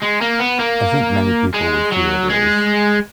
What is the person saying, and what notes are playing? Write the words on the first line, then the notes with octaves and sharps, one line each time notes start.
I think many people would feel it is.
G#3
A#3
B3
A#3
G#3
F#3
G#3